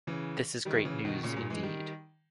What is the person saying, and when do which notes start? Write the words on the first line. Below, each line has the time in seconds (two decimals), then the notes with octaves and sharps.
This is great news, indeed.
0.07 C#3 E3
0.65 D#3 G3
0.85 C#3 E3
1.05 B2 D#3
1.23 A#2 C#3
1.36 G2 A#2
1.50 E3 G#3
1.63 D#3 G3